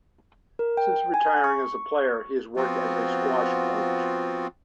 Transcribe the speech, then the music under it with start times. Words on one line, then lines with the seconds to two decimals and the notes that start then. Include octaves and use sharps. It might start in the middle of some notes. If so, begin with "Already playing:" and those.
Since retiring as a player, he has worked as a squash coach.
0.59 A#4
0.77 G5
1.14 G#5
1.44 C#6
2.56 F3 B3 C4 F4 F#4